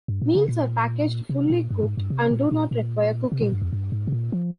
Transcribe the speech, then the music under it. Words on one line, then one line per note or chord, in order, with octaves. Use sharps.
Meals are packaged fully cooked and do not require cooking.
G2
A#2
C#3
A#2
C3
A#2
G2
G#2
G2
C3
A#2
A#2
A#2
C3
A#2
G2
F2
G2
G#2
C3
A#2
F3